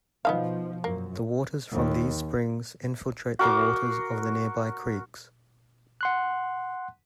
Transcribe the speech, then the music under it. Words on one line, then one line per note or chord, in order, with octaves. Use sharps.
The waters from these springs infiltrate the waters of the nearby creeks.
B2 F3 B3 D#4 F5
F#2 A#3
D#2
F#4 A#4 C6 D6
F#5 C6 F#6